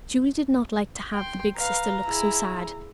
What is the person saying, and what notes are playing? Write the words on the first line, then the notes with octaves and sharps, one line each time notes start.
Julie did not like to have the big sister look so sad.
G5 C6
B4 F5 A#5
E4 G#4